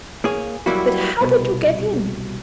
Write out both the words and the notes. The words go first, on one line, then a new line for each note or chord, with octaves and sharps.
"But how did you get in?"
A#3 G#4 C#5
F#3 G3 A#3 E4 F#4
C2 B2